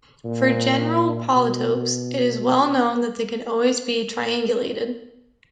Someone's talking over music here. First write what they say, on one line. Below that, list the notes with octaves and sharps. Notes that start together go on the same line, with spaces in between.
For general polytopes, it is well known that they can always be triangulated.
A#2
B2